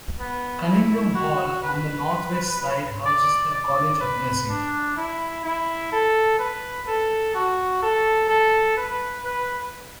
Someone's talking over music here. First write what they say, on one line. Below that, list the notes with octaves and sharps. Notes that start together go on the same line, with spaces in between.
Cunningham Hall on the northwest side houses the College of Nursing.
B3
E4
F#4
B4
D5
D5
B4
D4
E4
E4
A4
B4
A4
F#4
A4
A4
B4
B4